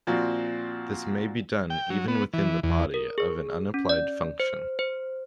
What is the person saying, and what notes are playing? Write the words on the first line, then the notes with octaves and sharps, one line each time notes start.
This may be done even within the body of an unapplied function.
A#2 F3 C4 F#4
G5
F#3
B3
E3
E2
A#4
G#4
C#4
D5
C5
C5